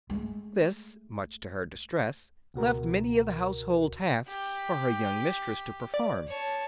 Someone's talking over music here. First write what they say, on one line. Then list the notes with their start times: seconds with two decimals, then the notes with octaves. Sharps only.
This, much to her distress, left many of the household tasks for her young mistress to perform.
0.10 G#3 A3
2.54 C#2 B2 F#4 A#4
4.28 G4
5.94 D5
6.28 C#5 A5